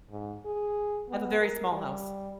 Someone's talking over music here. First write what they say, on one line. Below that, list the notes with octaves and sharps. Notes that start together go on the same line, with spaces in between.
I have a very small house.
G#2
G#4
B3
A#4
G3